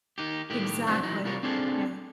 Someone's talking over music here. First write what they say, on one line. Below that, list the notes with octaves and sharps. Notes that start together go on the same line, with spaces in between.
Exactly. Yeah.
D#3 D#4 G4
A2 D#3 G4
C2 F2 F#3 B3 C4 D4
E3 F#3 D#4
C2 G3 F4 A#4 C#5
C4 D4 F4 G#4 A4